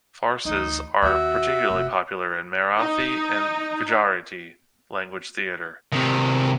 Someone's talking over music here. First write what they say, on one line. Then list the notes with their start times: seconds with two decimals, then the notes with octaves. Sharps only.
Farces are particularly popular in Marathi and Gujarati language theatre.
0.45 D2 E3 D#4
1.02 D#2 F#4 E5
1.70 F1
2.79 D#4
5.92 C3 D#3